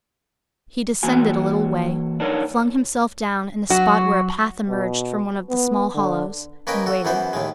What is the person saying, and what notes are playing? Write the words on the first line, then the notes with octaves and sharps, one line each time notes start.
He descended a little way, flung himself down in a spot where a path emerged from one of the small hollows, and waited.
E3 A#3 F#4 G#5
D4 D#4 A#4 B4 C#5
F#3 F#4
B2
B3
D3
A#3 C#4 A#4 B4 D#5 G5
F#4 A4
F#2 E3 B3 C5
D#2 A2 G#3